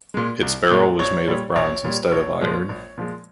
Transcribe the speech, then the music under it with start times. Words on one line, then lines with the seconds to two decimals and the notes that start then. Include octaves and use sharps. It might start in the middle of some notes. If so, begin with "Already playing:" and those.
Its barrel was made of bronze instead of iron.
0.14 A#2 G#3
0.42 C2
0.71 A#2 G#3
0.99 A#1 C#5
1.28 A#2 G3
1.56 A#1 C#5
1.84 A#2 G3
2.12 A#1 C#5
2.41 A#2 F3 G#3
2.69 A#1
2.97 A#2 F3 G#3